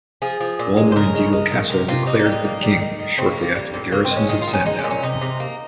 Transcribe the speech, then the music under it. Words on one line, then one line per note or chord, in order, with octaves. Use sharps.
Walmer and Deal Castle declared for the King, shortly after the garrisons at Sandown.
F3 G#4
F3
A#2
G#3
C5
C#3 A#4
G#3
G#3
D#3
C3 A#4
C3 F4
A#3 D#4
D#4
G3
D#4
A#3
G3
D#3
D#3
C#3 C4
A#3
F3
A#3
G3
A#2
C#3 A#3
C4
G#3
C#4
D#3 D#4
F4
D#3
C#4
G#3 D#4
C#4
A#2
C#4
C3 D#4
C3
A#3